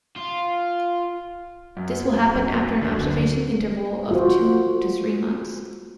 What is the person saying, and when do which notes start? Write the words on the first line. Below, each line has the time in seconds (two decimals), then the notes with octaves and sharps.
This will happen after an observation interval of two to three months.
0.16 F4
1.77 F#2
2.81 D2
4.11 F4 F#4 C5